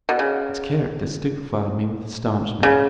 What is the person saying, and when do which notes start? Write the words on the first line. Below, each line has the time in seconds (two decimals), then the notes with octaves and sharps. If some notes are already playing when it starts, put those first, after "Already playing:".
Its character stupefied me with astonishment.
0.09 B2
0.19 C#3
2.63 C#3